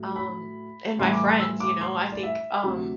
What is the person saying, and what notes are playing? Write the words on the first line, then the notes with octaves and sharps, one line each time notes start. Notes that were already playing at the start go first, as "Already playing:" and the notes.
um, and my friends, you know, I think, um,
Already playing: A2 F#3
B5
A2 E3 G3 C6
D6
C6
E6
D6
C6
D5
E5
D2 C3 F#3